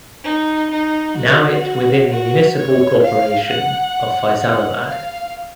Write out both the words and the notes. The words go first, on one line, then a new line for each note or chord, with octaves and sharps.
Now it within the municipal corporation of Faisalabad.
D#4
D#4
F#4
F#4
C#5
F5
F#5
F#5
F5